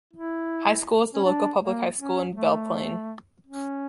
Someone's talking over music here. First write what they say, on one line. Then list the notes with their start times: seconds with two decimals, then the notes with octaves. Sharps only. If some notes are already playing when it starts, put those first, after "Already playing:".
High School is the local public high school in Belle Plaine.
0.13 E4
1.14 C#4
1.24 D4
1.61 A#3
1.99 C#4
2.35 A3
3.47 C#4